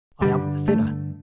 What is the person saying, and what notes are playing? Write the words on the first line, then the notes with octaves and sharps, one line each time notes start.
I am thinner.
G2 D3 G3
A3